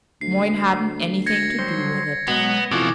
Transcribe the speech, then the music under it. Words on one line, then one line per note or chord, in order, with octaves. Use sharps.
Moyne hadn't anything to do with it.
D2 C7
G#6 A#6 C#7
F#3 G3 C5
B2 F#3 G#3 B3 F#4
F2 B2 E3 E4 F4 D6